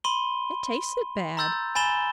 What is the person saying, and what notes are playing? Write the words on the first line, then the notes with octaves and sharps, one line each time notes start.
It tasted bad.
B5 C6 D#7 G7
A#5 C6 E6 G6 A6
G#5 B5 A6 E7 G7